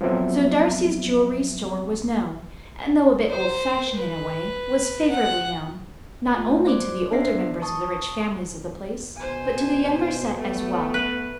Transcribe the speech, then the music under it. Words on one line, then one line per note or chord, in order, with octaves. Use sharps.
So Darcy's jewelry store was known, and though a bit old-fashioned in a way, was favorably known, not only to the older members of the rich families of the place, but to the younger set as well.
F3 F#3 B3 C4 E5
C5
B4
F#5
A3 F4
C5 D5 D6
B3 D4 C5 D5 E5 C7
A5 C#6 D#6
B2 C5 G#5
A3 B3
B4